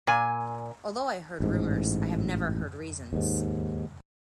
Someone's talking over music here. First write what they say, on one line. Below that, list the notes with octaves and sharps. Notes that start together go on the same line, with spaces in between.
Although I heard rumors, I have never heard reasons.
A#2 G#5
A1 G#2
D#2 G#2